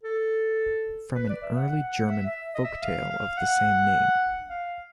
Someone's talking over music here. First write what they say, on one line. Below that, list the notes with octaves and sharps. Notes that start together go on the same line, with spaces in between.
From an early German folk tale of the same name.
A4
B4
D5
E5
F#5
F#5
F#5
E5
E5
D#5
E5
F5
F5
F#5
F5